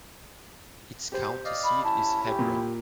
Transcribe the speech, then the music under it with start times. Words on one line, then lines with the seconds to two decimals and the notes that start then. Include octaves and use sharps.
Its county seat is Hebron.
1.12 G4 C5
1.45 D5 D#5 F5
1.64 B5
1.84 C#4 E4 A5
2.25 G4
2.39 A#2